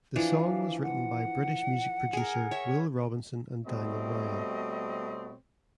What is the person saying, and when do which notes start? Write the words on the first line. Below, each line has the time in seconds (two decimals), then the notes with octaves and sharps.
The song was written by British music producer Will Robinson and Daniel Ryan.
0.16 E3 F3 D4 F5
0.82 F#5
2.13 G#4 A#4
2.51 C#5 E5
3.66 B2 G3 A3 C4 C#5 D#5